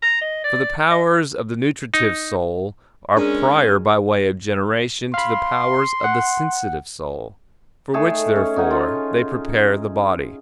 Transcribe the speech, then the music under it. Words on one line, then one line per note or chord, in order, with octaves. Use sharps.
For the powers of the nutritive soul are prior by way of generation to the powers of the sensitive soul; for which, therefore, they prepare the body.
A#5
D#5
D5
D#5
D#4
G#3 C#4 D4 G#4 A#4
F5 B5 C6
F#5
D#3 A3 G#4 C#5
C#4
C#4 D#4 F#5 G#5
F4